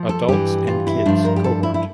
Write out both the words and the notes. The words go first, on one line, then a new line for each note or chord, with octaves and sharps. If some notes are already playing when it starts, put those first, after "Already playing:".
Adults and Kids cohort.
Already playing: F3
A4
G2 E3 G4
F4
E4
G2 F3 D4
A#4
G4
A4
E4
E4